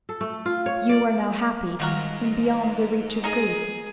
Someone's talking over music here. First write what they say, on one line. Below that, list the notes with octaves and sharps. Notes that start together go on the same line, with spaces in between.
You are now happy, and beyond the reach of grief.
A4
A3
F4
C#5
D5
G#2 D#3 F3 G3 F#4 A#4
D#4 G#4 A#4 D#5